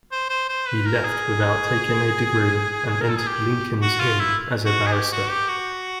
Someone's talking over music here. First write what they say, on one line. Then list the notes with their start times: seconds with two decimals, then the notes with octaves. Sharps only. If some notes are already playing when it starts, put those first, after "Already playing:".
He left without taking a degree, and entered Lincoln's Inn as a barrister.
0.12 C5
0.29 C5
0.49 C5
0.67 B4
0.86 A#4
1.05 G#4
3.02 A#4
3.10 A4
3.18 G#4
3.27 G4
3.82 F#4
4.00 F4
4.19 E4
4.65 F#4
4.86 G#4
4.93 G4
5.12 F#4
5.30 G4
5.49 F#4